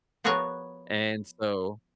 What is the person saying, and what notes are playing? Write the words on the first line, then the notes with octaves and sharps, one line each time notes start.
and so
F3 B3 F#4 G#4 A#4 C#5